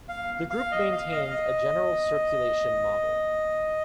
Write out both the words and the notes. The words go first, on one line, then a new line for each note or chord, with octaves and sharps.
The group maintains a general circulation model.
F5
F5
D#5
F5
D#5
F5
D#5